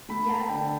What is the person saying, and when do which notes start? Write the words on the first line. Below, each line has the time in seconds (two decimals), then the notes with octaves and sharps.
Yeah, uh
0.09 A3 B5
0.29 A5
0.48 D3 G5